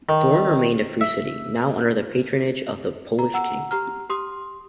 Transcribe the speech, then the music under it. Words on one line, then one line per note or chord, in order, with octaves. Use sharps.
Thorn remained a free city, now under the patronage of the Polish king.
D#3
E5
A#5
F#5 A#5 E6
G4 A#5 F6
G4 C6 D#6